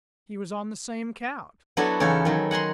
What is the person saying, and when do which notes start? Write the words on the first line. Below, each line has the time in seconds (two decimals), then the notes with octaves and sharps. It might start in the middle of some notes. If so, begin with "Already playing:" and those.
He was on the same couch.
1.77 F#3 B3 D4 E4 F#4 A4
2.00 E2 C#3 D#4 A4 C#5
2.25 D#3 F#3
2.51 F#5 G#5 A#5 C6